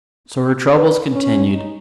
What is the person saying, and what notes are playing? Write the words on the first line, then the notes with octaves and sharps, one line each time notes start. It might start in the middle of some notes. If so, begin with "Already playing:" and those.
So her troubles continued.
B4
C#4
D#4